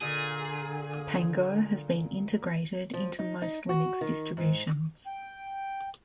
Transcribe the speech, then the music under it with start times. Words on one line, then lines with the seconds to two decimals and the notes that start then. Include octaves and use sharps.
Pango has been integrated into most Linux distributions.
0.02 A#2 D3 G#4
2.94 F3
3.19 D#4
3.42 D#4
3.69 F#4
4.01 D#3
4.37 G#2
5.06 G5